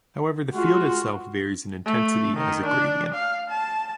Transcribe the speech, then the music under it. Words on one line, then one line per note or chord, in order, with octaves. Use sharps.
However, the field itself varies in intensity as a gradient.
G#3 F4 F#4
A3
D#3
D4
F5
A5